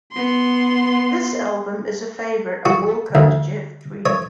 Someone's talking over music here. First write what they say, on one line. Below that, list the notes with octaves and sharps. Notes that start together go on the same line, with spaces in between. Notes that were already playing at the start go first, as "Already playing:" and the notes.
This album is a favorite of Wilco's Jeff Tweedy.
B3 C6
F#4
D2
C#5